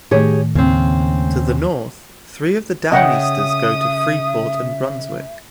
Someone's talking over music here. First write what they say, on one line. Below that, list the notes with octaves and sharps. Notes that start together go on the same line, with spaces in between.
To the north, three of the Downeasters go to Freeport and Brunswick.
A2 D#3 A3 G4 G#4 C#5
D#2 C#3 C4
C#3 D#5 E5 F#5 G5 D#6